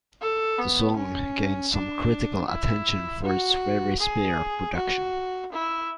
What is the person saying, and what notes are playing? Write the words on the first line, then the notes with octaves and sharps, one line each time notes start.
The song gained some critical attention for its very spare production.
A4
B3
C#4
D4
E4
F#4
G#4
F#4
E4